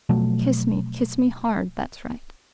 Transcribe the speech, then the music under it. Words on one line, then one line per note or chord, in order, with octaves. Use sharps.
Kiss me, kiss me hard, that's right.
B2 F3 F#3 A3